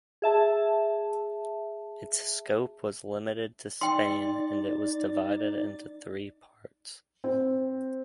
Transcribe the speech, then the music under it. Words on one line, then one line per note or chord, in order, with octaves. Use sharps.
Its scope was limited to Spain and it was divided into three parts.
G#4 E5 A5
D#4 D5 G5 C6 A6
C4